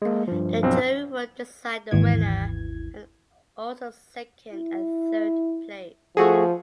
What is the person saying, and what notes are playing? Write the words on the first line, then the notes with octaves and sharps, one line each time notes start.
A jury will decide the winner and also second and third place.
G#3 A#3
G2 F3
B1 C4
G#1 D#2 E3 G#6
E4
F3 A3 F#4 G#4